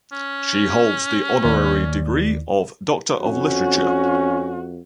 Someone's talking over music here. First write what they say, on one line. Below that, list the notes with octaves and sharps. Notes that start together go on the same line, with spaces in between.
She holds the honorary degree of Doctor of Literature.
C#4
D#2 D#3 D5
F2 C#4 F#4